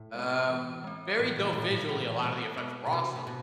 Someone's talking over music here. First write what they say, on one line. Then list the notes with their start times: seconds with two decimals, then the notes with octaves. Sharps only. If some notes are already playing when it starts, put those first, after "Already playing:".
Um, very dope visually, a lot of the effects were awesome,
Already playing: A2
0.15 G#3 C4
0.50 E3
0.84 G#3 C4
1.19 A2 E3
1.28 A#2
1.36 A2
1.45 A#2
1.53 A2 G#3
1.59 A#2 C4
1.71 A2
1.89 A#2 E3
2.23 B2 G#3 C4
2.58 B2 B3
2.87 B2
2.92 C3 D4 F#4 A#4
3.16 C3
3.27 B2